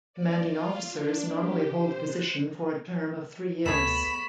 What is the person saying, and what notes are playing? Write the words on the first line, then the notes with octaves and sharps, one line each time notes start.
Commanding Officers normally hold the position for a term of three years.
D5
F4
D4
G4
C5
F#6
D2 A3 B3 G#4 C#5 B5 C#6 E7